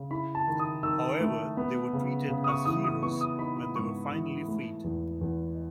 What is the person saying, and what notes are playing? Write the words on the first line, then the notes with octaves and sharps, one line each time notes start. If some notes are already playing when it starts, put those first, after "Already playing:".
However, they were treated as heroes when they were finally freed.
Already playing: C#3
E4 B5
A5
D#3
D#6
D#3 E6
A3
B3
C#3
C#3
D#6
C#6
E3 D#6
D#6
B3 C#6
D#6
D#4 B5
B5
G#2 C#6
E3
A3
E2
E2